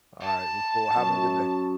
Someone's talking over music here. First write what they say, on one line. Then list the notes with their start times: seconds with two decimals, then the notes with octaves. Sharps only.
All right, well, cool. Have a good day.
0.20 A5
0.96 F#2